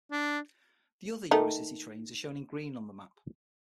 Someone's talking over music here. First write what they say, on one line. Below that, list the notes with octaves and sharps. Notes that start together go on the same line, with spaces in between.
The other EuroCity trains are shown in green on the map.
D4
D#3 A3 D#4